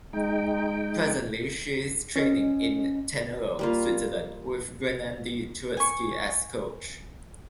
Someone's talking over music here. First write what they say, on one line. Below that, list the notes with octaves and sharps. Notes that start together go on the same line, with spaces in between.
Presently, she is training in Tenero, Switzerland, with Guennadi Touretski as coach.
G#3 D#4 G5
C#4 D#5
G3 A#3 F4
G#5 C#6